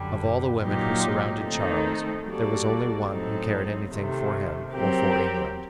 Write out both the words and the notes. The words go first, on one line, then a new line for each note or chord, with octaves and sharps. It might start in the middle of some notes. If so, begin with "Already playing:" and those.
Of all the women who surrounded Charles there was only one who cared anything for him or for England.
Already playing: F#2 D3 G3
A#2 F#3 A#3 D#4 G4
D#3 A3 C4 D#4 A4
G3 A#3 F#4 A4 D5
A2 F#3 C4 D#4 A4
C3 D#3 A3
F#3 C4 G4 A#4